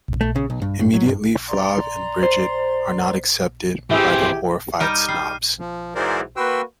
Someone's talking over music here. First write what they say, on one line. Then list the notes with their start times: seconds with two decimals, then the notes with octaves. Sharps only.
Immediately Flav and Brigitte are not accepted by the horrified snobs.
0.21 A3
0.36 C#3
0.50 B1
0.62 G2
0.79 G2
0.94 F#3
1.06 G2
1.48 D5 A#5 C6
2.23 C5
3.91 E3 C4 E4 G4 G#4 E5
4.80 G3 D#4 G4 F6 D#7
5.09 G3 C7
5.59 F3
5.95 G#2 E3 F#3 A#4 C5 D5
6.37 A#3 F#4 B4 G5 C6 E6